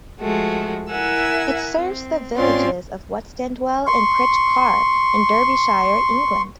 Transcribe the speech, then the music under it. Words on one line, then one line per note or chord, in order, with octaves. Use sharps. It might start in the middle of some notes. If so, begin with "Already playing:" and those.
It serves the villages of Whatstandwell and Crich Carr in Derbyshire, England.
F3 G#3 A3 F#4
E4 A#4 E5 F#5 G#5 E6
C4
G#2 C4 C#4 F4 D5 C6
C6 C#6